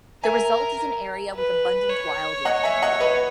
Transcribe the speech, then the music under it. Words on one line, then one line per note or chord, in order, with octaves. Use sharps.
The result is an area with abundant wildlife.
A#4 E5 G#5
B4
C#5
D#5 F#5
E5 G#5
D#5 F#5
B4 D#5